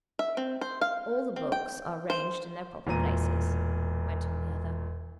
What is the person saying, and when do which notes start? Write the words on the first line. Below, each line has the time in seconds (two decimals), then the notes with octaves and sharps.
"All the books are ranged in their proper places," went on the other.
0.19 E5
0.37 C4
0.61 C5
0.81 F5
1.36 C4
1.52 G5
2.10 C5
2.87 E1 A#2 A#5 D#7